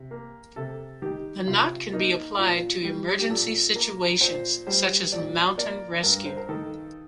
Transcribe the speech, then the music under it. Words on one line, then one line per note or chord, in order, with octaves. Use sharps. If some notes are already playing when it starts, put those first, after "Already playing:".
The knot can be applied to emergency situations, such as mountain rescue.
Already playing: C3
A#3
C3 A4
D#3 G4
C3 F4
A#3 D#4
A#2 F4
G3
G4
A#2 A4
A#3 A#4
A#2 C5
G3 C5
A#2 D5
A#3 D5
G2 A#4
C5
A#4
D#3 A4